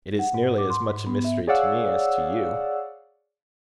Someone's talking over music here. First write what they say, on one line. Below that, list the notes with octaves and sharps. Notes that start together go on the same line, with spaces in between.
"It is nearly as much a mystery to me as to you."
F#5
G#2
D6
C6
G#2
B3
E5
G#4 C#5 D5 F5 F#5 E6